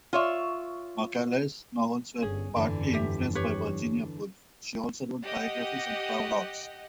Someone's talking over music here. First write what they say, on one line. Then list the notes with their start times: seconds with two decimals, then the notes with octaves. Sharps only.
Macaulay's novels were partly-influenced by Virginia Woolf; she also wrote biographies and travelogues.
0.13 F4 C#5 E5
2.22 G1 C#4 G#4
2.56 G1 F2 D3 E3
2.93 G4 E5
3.35 G4 B4 C#5
5.24 G4 D#5 F#5